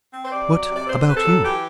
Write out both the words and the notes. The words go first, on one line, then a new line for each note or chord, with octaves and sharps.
What about you?
C4
C5
C3 D5
F#3
C3
D5
C4 C5
C3 B4
A4
F#3
E3 G4